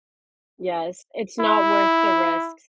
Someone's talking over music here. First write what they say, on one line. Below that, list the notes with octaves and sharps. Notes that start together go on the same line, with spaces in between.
Yes, it's not worth the risks.
E4